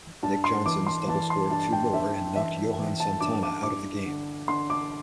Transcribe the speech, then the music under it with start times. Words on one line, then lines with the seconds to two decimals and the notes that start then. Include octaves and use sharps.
Nick Johnson's double scored two more and knocked Johan Santana out of the game.
0.23 G2 A5
0.44 C6
0.66 E3 D6
0.87 C6
1.08 E3 A5
1.30 C6
1.50 G2 A5
1.73 G5
1.93 G2 E5
2.36 E3 E5
2.78 E3
3.00 A5
3.21 G2 D6
3.43 D6
3.63 G2 D6
4.06 D3
4.48 D3 C6
4.70 D6